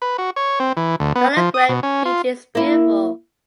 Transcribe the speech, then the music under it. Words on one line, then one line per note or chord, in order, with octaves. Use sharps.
Calanguate beach is beautiful.
B4
F#4
C#5
C4
E3
D2
B3
F3
D#6
B2
C#4
F4
A#3 E4